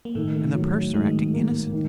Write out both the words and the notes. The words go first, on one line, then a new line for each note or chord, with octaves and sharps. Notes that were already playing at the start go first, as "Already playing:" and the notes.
And the purser acting innocent?
A#3
A2 D#3 A3
F#3
G#2 D#3 G#3
A#3
D#3